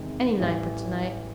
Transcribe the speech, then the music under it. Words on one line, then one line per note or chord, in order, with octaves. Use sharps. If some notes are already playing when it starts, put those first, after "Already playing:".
Any night but to-night.
Already playing: E2 C3 D#3 G#3
A1 A2 E3 G3